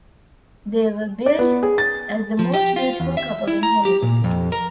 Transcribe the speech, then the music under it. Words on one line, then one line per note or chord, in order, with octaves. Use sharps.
They were billed as the most beautiful couple in Hollywood.
D5
B3
G#4
A6
F3
G4
F4
E2
E5
E4
A#5
G4
A#2
F2
A#4